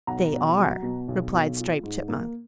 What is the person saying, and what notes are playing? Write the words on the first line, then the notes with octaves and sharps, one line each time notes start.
"They are," replied Striped Chipmunk.
B1 F#5 A#5
B1
F#3
B2
B1
B1
F4
G#2
A#3